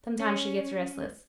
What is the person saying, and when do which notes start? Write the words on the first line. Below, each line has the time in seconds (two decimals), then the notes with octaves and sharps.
Sometimes she gets restless.
0.19 C#4